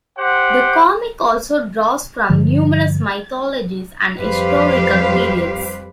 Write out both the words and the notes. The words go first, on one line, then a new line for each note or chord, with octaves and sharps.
The comic also draws from numerous mythologies and historical periods.
G4 C5 F#5
G2 D3 F3 G3
F2 G3 G4 B4 C5 F5